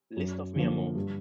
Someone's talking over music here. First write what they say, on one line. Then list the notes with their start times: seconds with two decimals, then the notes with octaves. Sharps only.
List of Mirmo!
0.17 F#2
0.56 D3 F3 A#3
0.95 G2